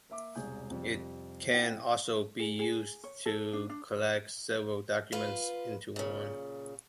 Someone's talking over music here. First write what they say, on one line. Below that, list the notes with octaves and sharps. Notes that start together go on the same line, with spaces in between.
It can also be used to collect several documents into one.
A#3 E5 D6
E1 C2 G#4 G#5 G6
F2 C3 G3
C4 E4 F#5 G5
G#4
G#4
C#5
A4
D4
D4
F4 B4 F5
A#2 C#3